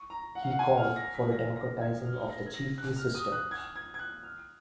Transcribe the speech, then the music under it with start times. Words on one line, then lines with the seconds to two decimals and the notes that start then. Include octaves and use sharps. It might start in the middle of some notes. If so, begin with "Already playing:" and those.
He called for a democratizing of the chiefly system.
Already playing: C#6
0.10 A#5
0.35 F#5
0.43 F5
0.51 F#5
0.59 G#5
0.78 F6
0.96 A#6
1.14 B6
1.32 A#6
1.56 A#6
1.81 G#6
2.05 F6
2.30 A#6
2.46 G#6
2.54 A#6
2.78 F#6
2.96 F6
3.15 D#6
3.32 F#6
3.51 G#6
3.76 G#6
3.94 G#6
3.99 F#6
4.23 F6